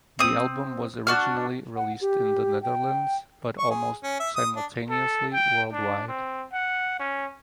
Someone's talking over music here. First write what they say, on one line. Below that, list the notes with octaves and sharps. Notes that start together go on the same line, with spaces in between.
The album was originally released in the Netherlands but almost simultaneously worldwide.
C4 D#6
D4 F#4 F6
F#5
G4
G5
C#6
G#4
C#4
E5
D#6
D4
A4
G5
D4
C4
F#5
C#4